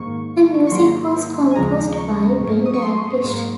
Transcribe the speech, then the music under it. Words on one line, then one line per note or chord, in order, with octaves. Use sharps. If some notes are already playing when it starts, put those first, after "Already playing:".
The music was composed by Ben Daglish.
Already playing: G#2 D#3 A#3 C#6
C#6
G#2 D#3 F#3 A#3 C6
G#5
D#2 C#3 F3 G#3 A#5
C#6
G#2 F#3 A#3
D#6
C#6
C6
G#2 F#3 A#3